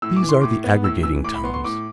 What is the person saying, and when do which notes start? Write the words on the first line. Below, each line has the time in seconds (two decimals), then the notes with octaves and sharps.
These are the aggregating tongues.
0.02 A2 E6
0.16 D6
0.23 E3
0.29 C6
0.41 A2 D6
0.64 B3
0.84 A2 E6
1.03 E3 E6
1.24 A2 D6
1.34 B5
1.44 B3 C6
1.54 C6
1.64 A2 D6